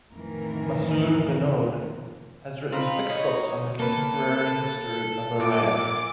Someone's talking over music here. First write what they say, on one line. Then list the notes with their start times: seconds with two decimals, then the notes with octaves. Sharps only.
Masoud Behnoud has written six books on the contemporary history of Iran.
0.11 F2 A2 D#3 E3 A#4
2.72 C4 D#4 F4 B5
3.10 D#4 C#5
3.79 A#3 A4 B4
5.40 A#2 D6